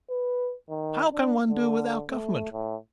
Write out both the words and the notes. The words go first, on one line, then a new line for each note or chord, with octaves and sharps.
How can one do without government?
B4
D#3
D4
D3
A3
A2